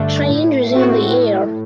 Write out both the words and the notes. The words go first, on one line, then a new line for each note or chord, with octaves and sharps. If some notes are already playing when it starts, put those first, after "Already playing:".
Change is in the air.
Already playing: G2 D3 A3 D4
A2
A3 C4 F#4
A2